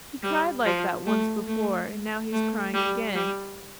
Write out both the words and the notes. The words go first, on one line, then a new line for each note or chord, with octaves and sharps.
He cried like that once before, and now he's crying again!
G3
F3
A3
A3
A3
G3
G3